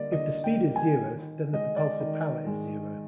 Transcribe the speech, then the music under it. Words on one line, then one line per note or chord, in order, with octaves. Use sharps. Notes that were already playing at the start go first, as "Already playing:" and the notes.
If the speed is zero, then the propulsive power is zero.
Already playing: D3 G3 A#3 D5 D#5
D3 D#5
G5
G3 A#3
G#5
D#3
G#3 D#5
D5
D#3
G#3